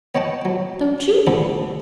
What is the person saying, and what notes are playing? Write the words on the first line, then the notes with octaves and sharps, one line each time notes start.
Don't you?'
B3 C#5 D#5 F#5 G5 A5
F#3
E3 F3 A3 B3 D4 A4